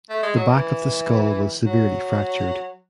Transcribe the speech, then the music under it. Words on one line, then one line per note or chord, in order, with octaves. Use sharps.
The back of the skull was severely fractured.
A3
G#3
F#3
E3
F#3